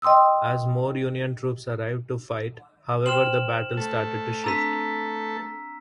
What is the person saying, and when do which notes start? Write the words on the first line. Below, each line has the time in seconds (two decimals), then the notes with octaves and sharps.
As more Union troops arrived to fight however the battle started to shift.
0.02 D#5 G5 C6 D#6 E6
3.06 C5 G5 C6 F6 E7 F#7
3.77 A3 A4
4.44 C4 D4 A#5 E6 B6